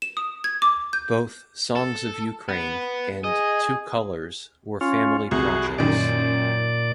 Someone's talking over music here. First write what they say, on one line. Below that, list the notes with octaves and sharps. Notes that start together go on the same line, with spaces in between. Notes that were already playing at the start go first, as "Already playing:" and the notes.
Both "Songs of Ukraine" and "Two Colors" were family projects.
E7
D#6
G#6
D6
G6
A4
B3
G#4 D#5
C#4 F4
C2 F#4 G#4
F#2 A#2 D#3 D5